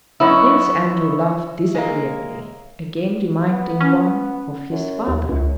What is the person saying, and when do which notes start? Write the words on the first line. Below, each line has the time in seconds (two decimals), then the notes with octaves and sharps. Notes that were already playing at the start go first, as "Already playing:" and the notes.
Prince Andrew laughed disagreeably, again reminding one of his father.
0.20 F#2 B3 E4 C#5 D#5 E5
1.75 G#3 A#3
3.51 B3
3.81 C#4
4.72 F#2
5.07 D#2
5.29 C#2 F#2